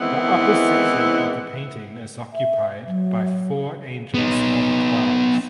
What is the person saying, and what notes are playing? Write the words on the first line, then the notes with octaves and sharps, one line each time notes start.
The upper section of the painting is occupied by four angels on clouds.
D#3 E3 G#3 B3 C4 E4
E5
F#3
B3 D#4